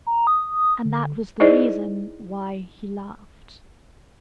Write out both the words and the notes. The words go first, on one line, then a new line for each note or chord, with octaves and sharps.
And that was the reason why he laughed.
A#5
D#6
D3
D#4 E4 G#4 C5 D5 D#5